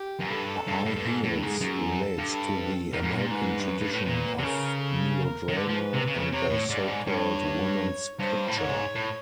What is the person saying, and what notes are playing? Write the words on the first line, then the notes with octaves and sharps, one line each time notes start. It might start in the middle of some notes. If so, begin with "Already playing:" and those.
"High Heels" relates to the American tradition of melodrama and the so-called "woman's picture".
Already playing: G4
F#2
G2 A4
G2
G2
G2
G#2
A2
G2
G#2 G#4
F#2
A4
G2
G#2 A#4
G#2
A2
B2
A#2
G#2 B4
G2
F#2
G2
A2
A#2
C3
C#3 A#4
A4
A#4
D#3
D3 B4
F3
C3
C#3
C3
C#3
C3 C#5
A2
G#2 D5
G2
G#2
G2 C#5
G2 C5
A2
G#2 C#5
A2